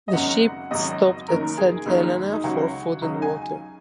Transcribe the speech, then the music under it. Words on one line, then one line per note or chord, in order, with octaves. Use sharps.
The ship stopped at Saint Helena for food and water.
D#5
G#1 F#2 C#3 F#3 F#5
G#1 F#2 C#3 F#3 D#5
F#1 F#2 D#3 F#3 A#4
G#4
F#1 F#2 D#3 F#3 G#4
D#4
C#2 C#3 F#3 F#4
C#2 C#3 F#3 D#4
G#5